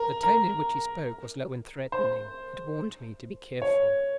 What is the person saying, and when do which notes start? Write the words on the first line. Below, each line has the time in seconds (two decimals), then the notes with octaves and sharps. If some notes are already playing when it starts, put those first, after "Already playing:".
The tone in which he spoke was low and threatening; it warned me to be careful.
Already playing: A#4
0.23 A#4
1.92 C5
3.62 C#5